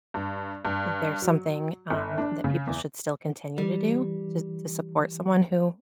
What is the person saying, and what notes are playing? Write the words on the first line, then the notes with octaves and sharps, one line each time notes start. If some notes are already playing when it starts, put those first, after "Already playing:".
there's something, um, that people should still continue to do? To to support someone who
G2
G2
F#3
G1
D4
C#3
E2
E3 G3